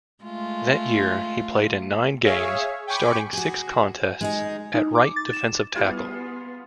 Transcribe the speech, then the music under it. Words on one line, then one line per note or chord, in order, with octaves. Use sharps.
That year, he played in nine games, starting six contests at right defensive tackle.
G#3 A3 F4
G#4 C#5 E5 F5
G5 G#5 B5 C#6 D6
F#4 G#4
G#3 D#4 G#4
D#4
D6
A6
E7
G3 B3 E4 F4 G4 G#4